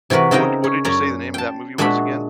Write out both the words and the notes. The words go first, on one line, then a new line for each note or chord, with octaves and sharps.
What d what did you say the name of that movie was, again?
C3 E3 F#4 A#4 B4
C#3 C4 D#4 A#4 D#5 G5
C#4
F#2 C#4 D5 A#5
G5 A5
A#2 G#3 D4 F#4 E5 B5